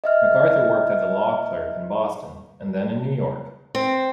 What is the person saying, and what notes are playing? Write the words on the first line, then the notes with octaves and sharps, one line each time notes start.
MacArthur worked as a law clerk in Boston and then New York.
D#5 E5 F6
C4